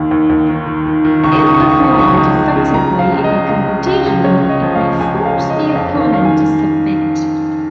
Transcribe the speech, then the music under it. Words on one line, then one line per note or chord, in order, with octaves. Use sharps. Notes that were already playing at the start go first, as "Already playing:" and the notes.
If applied effectively in a competition it may force the opponent to submit.
Already playing: D#2 D#3
D#2
D#2
D#3
D#3
D#3
D#3
C#2 C#6
D#6
C#6
C#3 D#6
C#6
C#2 D#6
C#6
D#6
F3 C#6
D#6
C#2 C#6
D#6
C#2 C#6
C#3
C#3
C#3 A#5
F3
F5
C#2
D#5
C#3
C#2
C#3
C#2
C#2
C#3 C#5
C#2
D#5
F3
F5
C#2
C#2 G#5
C#2
F5
C#2
D#5
C#3
D#5
F2 F5
D#3
F5
D#3 F5
G#5